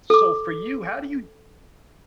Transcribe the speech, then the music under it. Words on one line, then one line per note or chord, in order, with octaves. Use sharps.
So, for you, how do you
A4 D6